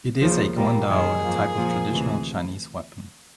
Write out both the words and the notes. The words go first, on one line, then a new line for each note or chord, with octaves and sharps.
It is a guandao, a type of traditional Chinese weapon.
D#2 C#3 F3
A#2 G3 A#3
F#2 D#3 G#3 G#4
G#2 F3 A#3
A#2 F3 A#3
D2 C3 E3